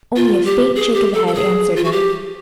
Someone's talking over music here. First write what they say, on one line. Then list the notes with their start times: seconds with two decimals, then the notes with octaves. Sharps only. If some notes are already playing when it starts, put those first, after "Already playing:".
Only a faint shake of the head answered her.
0.16 F4
0.46 G4
0.76 G#4
0.94 G4
1.14 A4
1.27 A4
1.34 G#4
1.76 F4
1.84 F#4
1.92 G4